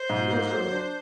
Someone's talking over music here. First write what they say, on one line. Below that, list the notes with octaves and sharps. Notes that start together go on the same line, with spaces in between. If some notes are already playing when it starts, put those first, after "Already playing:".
He rose early.
Already playing: C5
G#2
A#3
F#3
D4